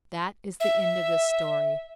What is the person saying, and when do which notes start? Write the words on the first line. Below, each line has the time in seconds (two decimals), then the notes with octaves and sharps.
That is the end of this story.
0.60 E5